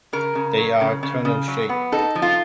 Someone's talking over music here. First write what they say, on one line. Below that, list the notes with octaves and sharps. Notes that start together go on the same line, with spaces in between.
They are tunnel-shaped.
C#3 A#4
C#3
F#3
C#3
C#3
C#3
F#3
B3
D#4 A4
F3
F4